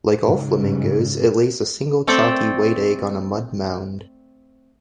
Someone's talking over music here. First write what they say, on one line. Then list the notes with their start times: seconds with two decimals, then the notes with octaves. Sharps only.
Like all flamingos it lays a single chalky white egg on a mud mound.
0.24 G#2 C#3
2.07 A3 C4 A4 D5 G5